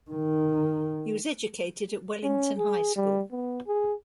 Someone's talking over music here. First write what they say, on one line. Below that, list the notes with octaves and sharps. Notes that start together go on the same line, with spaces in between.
He was educated at Wellington High School.
D#3
C#4
G#4
G3
B3
G#4